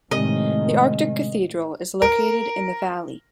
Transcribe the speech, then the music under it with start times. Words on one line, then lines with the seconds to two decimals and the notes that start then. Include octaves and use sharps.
The Arctic Cathedral is located in the valley.
0.11 A2 C3 D#3 G#3 D#5
2.02 A#4